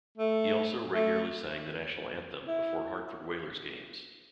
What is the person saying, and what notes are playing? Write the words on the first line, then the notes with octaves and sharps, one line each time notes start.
He also regularly sang the national anthem before Hartford Whalers games.
A3
A3
E4